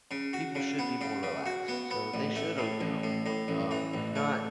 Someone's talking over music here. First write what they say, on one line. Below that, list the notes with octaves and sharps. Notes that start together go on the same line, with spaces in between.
people should be more relaxed, so they should open up more, um, if not,
C#3
F#4
C#3
B3
C#3
C#3
F#4
B3
B3
A1
A3
A2
A1
A2
A2
A1
E3
A1
A3